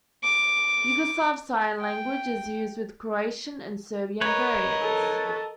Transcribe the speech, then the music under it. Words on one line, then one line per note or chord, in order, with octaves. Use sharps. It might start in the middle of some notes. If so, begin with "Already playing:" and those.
Yugoslav Sign Language is used with Croatian and Serbian variants.
D6
G5
A#4 B4 C#5 D#5
A4